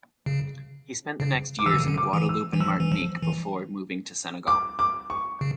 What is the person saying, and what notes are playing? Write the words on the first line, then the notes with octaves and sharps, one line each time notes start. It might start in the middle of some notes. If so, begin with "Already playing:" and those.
He spent the next years in Guadeloupe and Martinique before moving to Senegal.
C#3
C#3
D6
E3 E6
D3
C#3
D3
D6
E3
E6
E3
F3 E6
E3
F3
E3
D6
D6
C#6
C#3